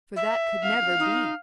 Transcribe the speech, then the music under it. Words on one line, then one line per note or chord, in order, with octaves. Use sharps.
For that could never be.
E5
F5
D#4